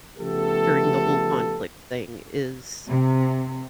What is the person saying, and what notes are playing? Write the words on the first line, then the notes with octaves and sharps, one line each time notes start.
during the whole conflict thing is
C#3 F3 A3 B3 G4 A4
C3